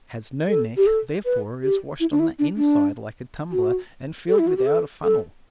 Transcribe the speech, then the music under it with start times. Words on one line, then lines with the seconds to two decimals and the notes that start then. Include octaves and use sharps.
Has no neck, therefore is washed on the inside like a tumbler, and filled without a funnel.
0.49 A4
0.77 G4
0.87 A4
1.25 B4
1.63 G4
2.00 E4
2.12 D4
2.20 E4
2.39 D4
2.57 D4
3.52 F#4
4.29 A4
4.39 E4
4.47 F#4
4.57 G4
4.66 A4
5.04 A4